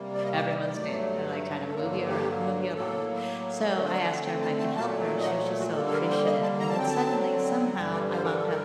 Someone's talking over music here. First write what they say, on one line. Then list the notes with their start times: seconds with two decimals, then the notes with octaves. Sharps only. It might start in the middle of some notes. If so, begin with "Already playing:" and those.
everyone's standing, their like, kinda move you around, move you along. So, I asked her if I could help her, and she was just so appreciative, and then suddenly, somehow, I wound up
Already playing: C3 G3 A#3
0.14 D5
0.24 D#5
0.37 D5
0.49 D5
0.61 D5
0.74 G2 F#3 A3
1.67 A4
1.74 G2 D3 F#3 A#3 A#4
1.92 A4
2.08 G4
2.75 A2 F#3 A#3 A4
3.75 D3 A3 C4 A#4
3.85 C5
3.93 D5
4.09 F#5
4.26 G5
4.42 A5
4.59 A5
4.75 A#2 F#3 A3 A5
5.18 D#5
5.26 F#5
5.59 F#4
5.76 D3 G3 A#3 A4
5.86 A4
5.93 A#4
6.10 C5
6.26 D#5
6.43 A5
6.60 A#5
6.69 A5
6.76 D3 F#3 C4 G5
6.89 A5
7.76 G2 D3 G3 G5
7.94 D5
8.10 C5
8.23 A#4
8.35 A4
8.48 A#4